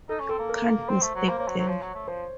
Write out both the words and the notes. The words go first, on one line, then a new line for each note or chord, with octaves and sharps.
Can't mistake them.
D#4 A4
C#4
C4 A4
A#3
A#4
C4 C5
A3
F#3
A#3 C5
A#3 C#5
F#3
F#3 C5
F3 C#5
F#3
A3
F3 C5